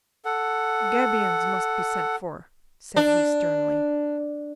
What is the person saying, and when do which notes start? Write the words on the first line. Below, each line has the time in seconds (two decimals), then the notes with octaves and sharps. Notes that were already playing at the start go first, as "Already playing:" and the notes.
"Gabions must be sent for," said he sternly.
0.25 A4 F#5
2.96 D4